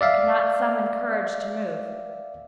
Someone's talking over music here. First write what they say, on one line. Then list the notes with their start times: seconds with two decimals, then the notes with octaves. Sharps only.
I could not summon courage to move.
0.01 D5 E5 F5